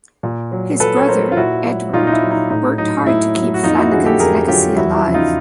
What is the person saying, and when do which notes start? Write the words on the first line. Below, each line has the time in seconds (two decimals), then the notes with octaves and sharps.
His brother, Edward, worked hard to keep Flanagan's legacy alive.
0.23 A#2
0.52 F#3
0.80 A#2 A4 B4
0.97 C#5
1.08 F#3 A#4 C5
1.32 F4
1.37 A#2 E4 F#4
1.65 F#3
1.93 A#2 D#4 F4
2.07 D#4
2.12 E4
2.22 F#3
2.31 D#4
2.50 A2 D#4
2.78 F#3 D#4
3.06 A2 E4
3.35 F#3
3.54 F#4
3.63 F2 D#4 F4
3.77 E4 F#4
3.91 D3 F#3 F#4 G#4
4.06 G4 A4
4.20 F2 G#4 A#4
4.48 D3 F#3 F4 G4
4.76 E2 E4 F#4
4.96 E4
5.05 C#3 F3
5.14 D#4 F4